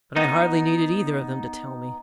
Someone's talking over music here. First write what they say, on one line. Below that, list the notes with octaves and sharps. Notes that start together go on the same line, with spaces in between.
But I hardly needed either of them to tell me.
B3 D#4